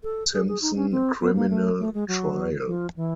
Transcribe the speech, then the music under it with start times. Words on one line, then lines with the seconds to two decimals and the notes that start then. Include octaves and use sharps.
Simpson criminal trial.
0.03 A4
0.33 G#4
0.48 G#4
0.62 D#4
0.76 C#4
0.91 C4
1.21 B3
1.36 A#3
1.50 A3
1.79 A3
1.94 G#3
2.08 F#3
2.67 F3
2.96 E3